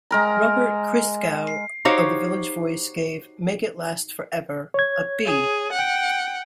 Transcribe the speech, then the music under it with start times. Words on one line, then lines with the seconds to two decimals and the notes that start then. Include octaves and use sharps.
Robert Christgau of "The Village Voice" gave "Make It Last Forever" a "B".
0.11 G#3 A#4 A#5
1.85 D#4 F#4 G4 C5 C#5 F5
4.74 C#5 G#6
5.26 G#4
5.73 F#5 G5